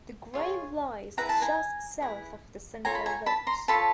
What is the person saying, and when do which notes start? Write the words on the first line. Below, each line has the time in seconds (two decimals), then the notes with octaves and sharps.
The grave lies just south of the central vaults.
0.34 F4 G#4 C#5
1.17 E4 G#4 B4 A#5
1.29 A5
1.42 G#5 A#5
2.00 E4 G#4 B4
2.85 F4 A4 C#5 G#5 A#5
2.95 B5
3.06 G#5 A#5
3.26 A5 B5
3.47 A#5 C6
3.68 F4 A4 C#5 A5 B5